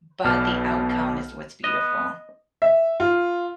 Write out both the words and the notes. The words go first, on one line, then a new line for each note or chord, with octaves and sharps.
but the outcome is what's beautiful.
B1 B2 D5 A5 F6
B3 D#5
E5
F4